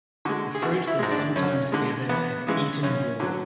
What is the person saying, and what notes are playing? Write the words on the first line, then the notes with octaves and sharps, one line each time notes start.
The fruit is sometimes gathered and eaten raw.
D3 G#3 F#4
G#4
G#1 F#4
E4
G#2 G#3
D4
F#2 C#4
D3 G#3
E2 B3
C#3 E3 G#3
F#2 C#4
D3 F#3